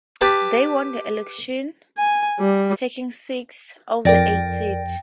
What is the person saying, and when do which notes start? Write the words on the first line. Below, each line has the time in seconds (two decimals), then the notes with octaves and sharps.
They won the elections, taking six of the eight seats.
0.21 G4 B4 A5
1.98 G#5
2.40 G3
4.05 F2 A#4 D5 G5 A6 A#6